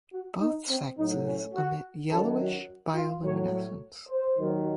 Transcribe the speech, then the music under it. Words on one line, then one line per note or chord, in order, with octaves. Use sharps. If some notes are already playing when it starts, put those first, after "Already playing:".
Both sexes emit yellowish bioluminescence.
F#4
D#4
C4
A2 F#3 D#4
C#4
F#4
F#2 D#3 F#3 A4
F#4
F4
A2 F#3 C#5
C#5
C5
D#2 D#3 F#3